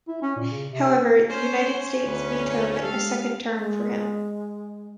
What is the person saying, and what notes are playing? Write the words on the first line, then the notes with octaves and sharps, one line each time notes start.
However, the United States vetoed a second term for him.
E4
C#4
A#2
C#3
C3
C#4 C5
D2 B4
G#3 G4 A4 F5
G#3